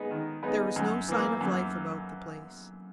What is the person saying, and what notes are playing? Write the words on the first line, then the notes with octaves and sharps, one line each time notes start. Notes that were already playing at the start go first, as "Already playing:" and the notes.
There was no sign of life about the place.
Already playing: G#3 B3 D#4
D#3
G#3 B3 D#4
F#2
E3 A#3
F#2